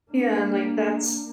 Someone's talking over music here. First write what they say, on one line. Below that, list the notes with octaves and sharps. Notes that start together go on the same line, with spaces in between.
Yeah, and like that's
A#3 D4